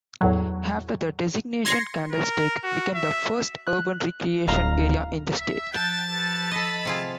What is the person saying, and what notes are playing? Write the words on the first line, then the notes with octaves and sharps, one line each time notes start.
After the designation Candlestick became the first urban recreation area in the state.
E2 A2 F#3
C6 G#6 A#6 C7 C#7
A#4
F#4
E5
F#6
D1 F5 A#5
E5
F3 F#5 G5 A5 A6
G4 A4 B4
A4 D#5 E5 B5
C3 F4 G#4